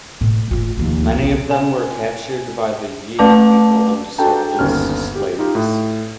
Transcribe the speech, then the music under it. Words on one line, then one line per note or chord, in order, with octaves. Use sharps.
Many of them were captured by the Yi people and sold as slaves.
A2
A2 F4
D#2 F3
B1
G#5
A3 B4 D5 A5 D6
D4 F#4 A4 G5 A5 A#5
G1 D#2 C#4 F6
G4
D#4 F4 G4
A2